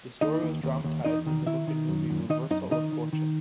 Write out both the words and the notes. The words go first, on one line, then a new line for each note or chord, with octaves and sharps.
The story was dramatized in the book and movie, "Reversal of Fortune".
D#2 D#4 D#5
D#2
D#2
D#2
E2 D#4 D#5
D#3
D#3 E4 E5
D#3
F#2
F#2
D#3 D#4 D#5
F#2 D#4 D#5
D#3 D#4 D#5
D#3
D#3